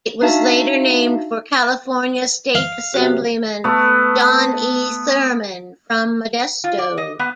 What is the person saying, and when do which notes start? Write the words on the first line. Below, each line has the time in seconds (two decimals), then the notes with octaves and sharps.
It was later named for California State Assemblyman John E. Thurman, from Modesto.
0.22 D4 D#4 F#4 E5 F5 A5
2.55 F5
2.94 F#2 C3 F#4
3.64 A3 B3
6.64 F4
6.78 D5
6.97 D#5
7.19 B3